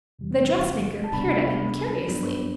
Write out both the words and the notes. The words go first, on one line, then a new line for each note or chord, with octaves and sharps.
The dressmaker peered at him curiously.
E2 C3 E3 G3
A5
D2 C3 G3 B3 D4 B5
G2 F#3 B3 D4